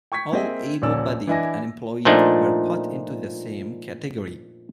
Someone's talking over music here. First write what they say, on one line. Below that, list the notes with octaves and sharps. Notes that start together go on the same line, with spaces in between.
All able-bodied unemployed were put into the same category.
G5 C#6 G#6 B6
A#3 C4 G#4 D#5 E5
D#1 A#1 C#4 D5 E6
E3 D4 E4 D#5 G#5 A#6
A#2 F3 A3 D4 D#4